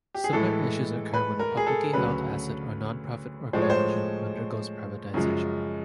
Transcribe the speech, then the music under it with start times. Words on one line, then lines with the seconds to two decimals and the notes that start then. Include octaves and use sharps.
Similar issues occur when a publicly held asset or non-profit organization undergoes privatization.
0.14 G4
0.24 G#4
0.33 A2 E3 G#3 A4
1.13 B4
1.39 A#4
1.57 G#4
1.67 A4
1.93 D2 C#3 F#3 B4
3.53 A2 F3 G#3 C5
3.62 C#5
3.70 C5
5.14 F#2 C#3 F3 G#3